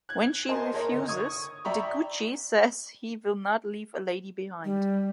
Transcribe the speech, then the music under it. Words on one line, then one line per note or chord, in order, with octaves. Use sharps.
When she refuses, De Guiche says he will not leave a lady behind.
F#6 G#6
A#4 C5 D#5 G#5 A5 C6
A#3 A#4 C#5 D#5
D3
C#6 D#6 G#6
D5 E5 G5 A#5 B5 C#6
G3